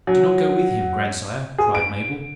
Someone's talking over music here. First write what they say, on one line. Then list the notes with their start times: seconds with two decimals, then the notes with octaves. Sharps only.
"Do not go with him, grandsire," cried Mabel.
0.07 F#3
1.58 G#4
1.75 D7